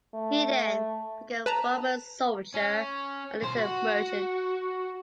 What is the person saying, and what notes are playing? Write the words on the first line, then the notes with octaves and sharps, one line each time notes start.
He then became a Roman soldier and later merchant.
A3
B4 A5 A#5
C#4
B1 C5
F#4